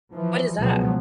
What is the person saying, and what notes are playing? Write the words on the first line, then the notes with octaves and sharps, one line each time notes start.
What is that?
E3 F3
C#2 B2 F3 F#3 G#3 B3